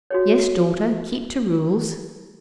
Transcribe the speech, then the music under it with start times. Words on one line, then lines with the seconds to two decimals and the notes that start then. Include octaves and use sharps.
"Yes, daughter; keep to rules."
0.10 F#4 G#4 C#5